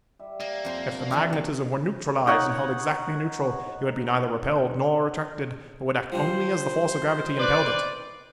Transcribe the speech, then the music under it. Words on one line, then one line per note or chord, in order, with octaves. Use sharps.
If the magnetism were neutralized and held exactly neutral, it would be neither repelled nor attracted, but would act only as the force of gravity impelled it.
G3 E5
A#3 D#5
F2 C5
D3 F#3
E3 D4 G4
A#3
D#4 C#5 F#5
F3 G3 D4 C5
B4 D5